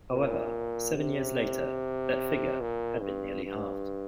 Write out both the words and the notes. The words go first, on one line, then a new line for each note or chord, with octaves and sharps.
However, seven years later that figure had been nearly halved.
A#2
C3
A#2
G2
G2